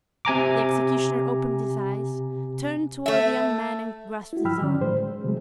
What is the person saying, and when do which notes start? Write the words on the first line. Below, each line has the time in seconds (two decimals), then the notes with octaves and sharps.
The executioner opened his eyes, turned toward the young man and grasped his arm.
0.25 C3 G#5 A#5 D6
3.06 A3 E5
4.33 E4 F#4
4.45 G2 F3 G5 B5 E6 F6
4.60 D3 D#3 F#3 C#4 D5
4.81 A2 G#3 C5
4.98 D#3 G#3
5.24 C3 F#3 G#3